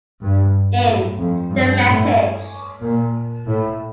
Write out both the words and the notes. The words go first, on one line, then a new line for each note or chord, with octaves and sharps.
In: The Message.
G2
A2
F2
G2
A2
A#2
A2